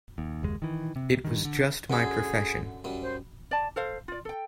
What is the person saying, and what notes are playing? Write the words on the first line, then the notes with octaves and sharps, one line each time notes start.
It was just my profession.
D#2
F#1 D#2 G#3
D#3 E3
C3
G2 D#3
D3
F#2 D3 G#4 A4
F#2 G3
C5
D5 A5
A4 C5 F5
F4 D5
A4 G5